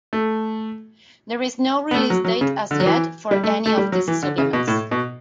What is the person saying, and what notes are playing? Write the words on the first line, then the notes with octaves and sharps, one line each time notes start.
There is no release date as yet for any of these supplements.
A3
B3
A3
F#3
F#3
C#3
D3
F#3
E3
G3
A3
A3
G3
F#3
E3
D3
C#3
B2
A2
B2